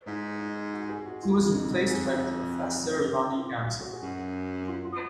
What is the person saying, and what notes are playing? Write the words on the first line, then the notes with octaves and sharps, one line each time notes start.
He was replaced by Prof. Roni Gamzo.
G#2 D#4
D#4
F#4
G#4
F#4
F4
F2 F4
D#4
F#4
G#4
F#4
F4
F#4
F#4
G#4
F#2 F#4
F4
F4